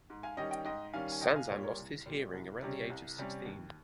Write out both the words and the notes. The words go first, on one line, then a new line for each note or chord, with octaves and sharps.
Sanzan lost his hearing around the age of sixteen.
G#2
F5 G#5
D#3 G3 C#4 D#5 G5
D#5 G5
G#2 D#5 G5
D#3 G3 C#4 F5 G#5
G#5
C2 D#5 G5
F5 G#5
A#2 G3 C#5 F5
A#4 C#5
C2
A#2 G3
C2
C3 G3 C#4
C2
C3 G3 C#4
D#2